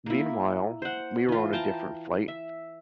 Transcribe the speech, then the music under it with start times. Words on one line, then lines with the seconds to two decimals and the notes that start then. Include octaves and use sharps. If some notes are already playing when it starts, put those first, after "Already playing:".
Meanwhile, we were on a different flight.
0.06 A#3 E4
0.82 C5 F#5
1.29 E3 F4
1.53 G5 A5 A#5
2.28 E5